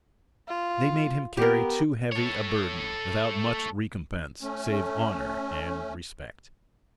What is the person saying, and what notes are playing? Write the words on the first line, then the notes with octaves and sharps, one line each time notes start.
They made him carry too heavy a burden, without much recompense save honor and respect.
F4
B3 G4 A#4
A4 C#5
A3 C#4